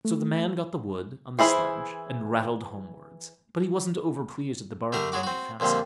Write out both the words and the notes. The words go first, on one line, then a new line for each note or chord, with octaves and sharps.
So the man got the wood on the sledge and rattled homewards, but he wasn't over pleased at the bargain you may fancy.
A3
E3 C4 E4 G#4 C5
D3 G3 A3 D4 A#4
F#3 G#3 F#4 D6
C4 F#4
F2 A#2 D3 G3 C4